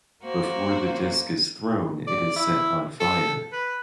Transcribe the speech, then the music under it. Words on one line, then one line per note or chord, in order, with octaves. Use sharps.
Before the disc is thrown it is set on fire.
A#3 F#4 C5
D5
E4
A4
B4